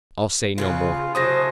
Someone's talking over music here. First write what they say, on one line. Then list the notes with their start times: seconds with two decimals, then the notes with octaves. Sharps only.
I'll say no more.
0.58 C#3 F4 A#4 B4
1.15 C#3 F#3 A3 C5 D#6 A#6